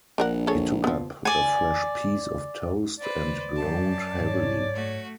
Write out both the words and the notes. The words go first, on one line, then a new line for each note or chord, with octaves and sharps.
He took up a fresh piece of toast, and groaned heavily.
A#1 D4 A#4 F#5
G#4 A4 C#5
F3 B3
D5 G#5
B4 C5 D5
F#2 A5
G#2 C#5
A3 F#4